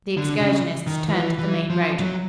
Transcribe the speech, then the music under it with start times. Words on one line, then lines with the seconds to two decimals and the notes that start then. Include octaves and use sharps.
The excursionists turned to the main road.
0.17 D3
0.40 C#3
0.87 D#3
1.08 E3
1.38 E3
1.70 F3
2.00 F#3